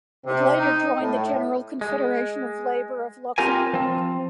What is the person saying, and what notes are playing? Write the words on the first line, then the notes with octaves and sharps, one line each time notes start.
It later joined the General Confederation of Labour of Luxembourg.
C3
D#4
A2
G#3
C4 F4 G4 A#4 G#5
F3 C4